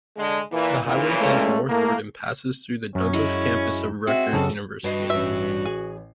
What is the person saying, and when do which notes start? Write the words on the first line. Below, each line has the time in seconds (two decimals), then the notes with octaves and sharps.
The highway heads northward and passes through the Douglass Campus of Rutgers University.
0.17 D3 G#3
0.52 A#2 E3
0.85 A#2 C#3 E3
1.20 G#3 A3 C#4
1.68 A2 A#3
2.95 F#2 C#4
3.13 F#3 G#3 E4
4.07 G#3 C4 F#4 E5
4.33 F#2 C#3 A4
4.84 G2 F#4 B4 D#5 C7
5.10 A1 B4 E5
5.65 G#4